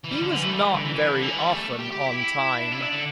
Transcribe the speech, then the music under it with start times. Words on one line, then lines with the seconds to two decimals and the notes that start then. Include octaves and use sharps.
He was not very often on time.
0.05 E3
0.11 G3
0.23 D3
0.32 E3
0.42 A3
0.53 G3
0.63 E3
0.74 D3
0.84 E3
0.95 E3
1.09 D3
1.22 E3
1.36 G3
1.50 A3
1.79 G4
1.92 G4
2.06 E4
2.62 D4
2.72 E4
2.82 D4
2.93 D3